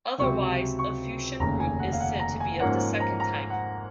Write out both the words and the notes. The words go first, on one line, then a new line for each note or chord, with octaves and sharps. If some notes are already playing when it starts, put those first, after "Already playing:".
Otherwise, a Fuchsian group is said to be of the second type.
C#2 C3 F#3 C#6
C#6
F1 D#2 C#3 A#5
G#5
F#5
F5
F#5
A#5
G#5
G#2 F3 A#3 C#4 F#5
A#5
A#5
F#5